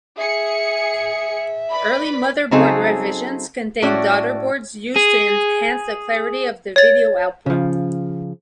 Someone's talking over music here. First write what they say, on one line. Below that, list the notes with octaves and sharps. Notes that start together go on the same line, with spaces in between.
Early motherboard revisions contain daughterboards, used to enhance the clarity of the video output.
G#4 E5 C#7
B4 D5 B5
C#3 F#3 C4 D#4 G#4 A4
A2 C#4 F#4 D5
G#4
C#5 A6
C#3 F3